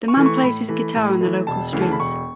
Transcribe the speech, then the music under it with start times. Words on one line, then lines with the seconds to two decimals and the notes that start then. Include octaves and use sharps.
The man plays his guitar on the local streets.
0.08 C#6
0.17 E3 A3
0.26 C#6
0.43 A2 B5
0.68 E3 A3
0.95 A2
1.21 E3 A3
1.47 E1 A5
1.73 D2 C#3 E3
1.82 A5
1.91 B5
1.99 E1 C#6